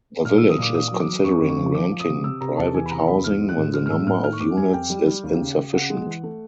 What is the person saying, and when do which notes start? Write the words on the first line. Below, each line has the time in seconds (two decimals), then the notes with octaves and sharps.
The village is considering renting private housing when the number of units is insufficient.
0.25 A#2 F6
0.38 F#3 E6
0.49 D#6
0.58 A#2 D6
0.74 A#2 D#6
0.91 F#3
1.00 D6
1.08 F#3
1.24 F2 C#6
1.41 F2
1.49 C#6
1.58 F3
1.74 F3 D6
1.91 F3
2.00 D#6
2.08 C3
2.24 C3 E6
2.41 C3 A#5
2.57 E2 A5
2.74 E3 G#5
2.86 B5
2.91 C3 A#5
3.07 E2 B5
3.24 E3 F6
3.40 G#3
3.49 F#6
3.57 A2
3.74 G#3 F6
3.86 F6
3.90 A2 E6
4.07 A2 F6
4.24 D#3 F6
4.33 C#6
4.40 F2 D6
4.57 G3 G#5
4.74 F2 G5
4.90 G3
5.07 G3
5.24 D#2
5.40 C#3
5.57 C#3
5.73 C#3 F#5
5.90 G#3
6.06 E3
6.23 A3